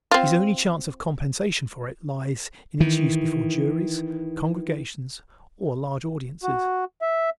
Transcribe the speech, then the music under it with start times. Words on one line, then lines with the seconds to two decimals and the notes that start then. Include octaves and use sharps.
His only chance of compensation for it lies in its use before juries, congregations or large audiences.
0.11 C4 F4
2.80 D#3 E3
6.43 F#4
7.02 E5